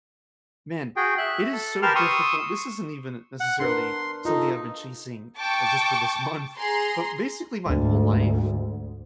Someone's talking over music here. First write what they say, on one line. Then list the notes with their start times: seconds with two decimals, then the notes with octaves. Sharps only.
man, it is so difficult, this isn't even necessarily something I've been chasing, uh, just for this month, but basically my whole life
0.96 F#4 G#4 G5
1.18 E5 F#6
1.53 A4
1.82 G4 A#4 B4 A5 C6 F6
1.95 C6 C#6 D#6 E6
3.40 F#5
3.60 D4 A#4 B4 C6
4.25 D#4 F4 A4
5.37 G5 A5 C#6 D6
6.57 G#4 A#5 C6
7.67 D2 G#2